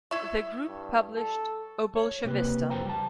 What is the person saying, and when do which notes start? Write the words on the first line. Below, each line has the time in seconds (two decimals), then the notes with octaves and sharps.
The group published "O Bolchevista".
0.11 E4 E5 C#6
0.67 G2
1.15 A4
1.96 C#5
2.24 C#2 C3 A#3 G4 B4
2.70 F2 C#3 A#4 C5 G5 A#5
2.85 G3 A5